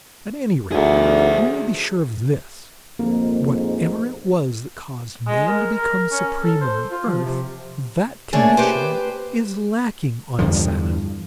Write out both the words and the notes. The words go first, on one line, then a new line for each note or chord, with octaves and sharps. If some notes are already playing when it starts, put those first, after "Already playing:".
"At any rate, we may be sure of this: whatever it was that caused man to become supreme on the earth, that condition is lacking on Sanus!"
D2 G#4 E5
A#1 F2 G#2 A#3
G#3
A#4
A#4
C#4
A4
C5
F4
F3
C3
A3 A#3 C#4 D4 G#4
G4 B4 C5
E2 G2 D3 F3